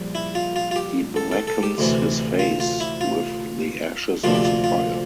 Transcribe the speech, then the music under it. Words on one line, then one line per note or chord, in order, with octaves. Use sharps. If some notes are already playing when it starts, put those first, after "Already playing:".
He blackens his face with the ashes of the fire.
Already playing: A#1 G3
E4
F4
F4
F4
G4
A4
A4
A4
G4
D2 C3 E3
F4
F4
E4
F4
D2 C3 F3 A#3 D4 F4
G4
F4
F4